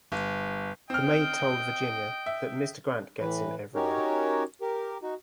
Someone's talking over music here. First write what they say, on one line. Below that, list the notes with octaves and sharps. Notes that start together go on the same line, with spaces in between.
The maid told Virginia "that Mr Grant gets in everywhere".
G1
C4 D#5 G5 F6
E5
A2 E3 B4
C#4 D#4 F#4 G4 A#4 C#5
G4 A#4
D#4 F#4